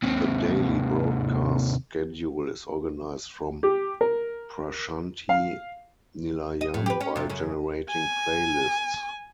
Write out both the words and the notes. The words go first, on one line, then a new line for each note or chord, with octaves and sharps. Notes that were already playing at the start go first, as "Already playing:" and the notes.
The daily broadcast schedule is organized from Prashanthi Nilayam by generating playlists.
D#2 C3
G4
A#4
F5
D#5
A2
G4 B4
C#4
F2 C3
F#2 C#3
G#5